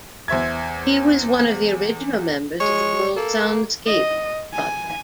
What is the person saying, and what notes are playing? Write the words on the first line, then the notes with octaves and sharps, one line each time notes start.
He was one of the original members of the World Soundscape Project.
E2 C5 E5 G#6
G#3 C#5
A#3 A4
D#5
G#5